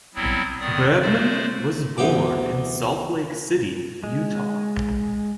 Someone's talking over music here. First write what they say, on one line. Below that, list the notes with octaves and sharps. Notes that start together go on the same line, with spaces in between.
Bergman was born in Salt Lake City, Utah.
F#3 G3 B3 C4 E4
F2 D#3 B3 D5 D#6
G#3 A3 C5 D5
D2 E3 B3 G4 D6
G#3